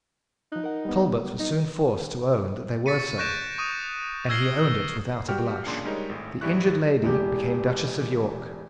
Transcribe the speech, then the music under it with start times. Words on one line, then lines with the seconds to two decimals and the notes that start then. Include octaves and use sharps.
Talbot was soon forced to own that they were so; and he owned it without a blush. The injured lady became Duchess of York.
0.52 F3 D#4 F#6
0.64 A#4 F#5
0.85 G3 B3
1.39 D#4
2.86 C#6 A6 B6 C#7 D#7
3.18 C#6 F#6 G6 A#6 D7 E7
3.58 C#6 D#6 D#7
4.29 E6 F6 G#6 A#6 C7 G7
5.29 G3 F#4 G4 G5 F6
5.66 B1 E2 A#2 C#3 D4 C6
5.85 G3 G#3 D#4 A#4 C#5
6.09 G#1 A2
6.41 G#1 E3 G3 E4 C#6 F#6
7.03 E1 E2 G4